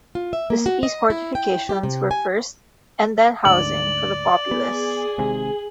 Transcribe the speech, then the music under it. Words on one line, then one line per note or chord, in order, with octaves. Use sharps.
The city's fortifications were first and then housing for the populace.
F4
E5
A#3
F#4
D#5
E4
G5
G4
C3
G#5
D2 G#2 D3 D5 F#7
B3 G#4
G#1 G#2 C3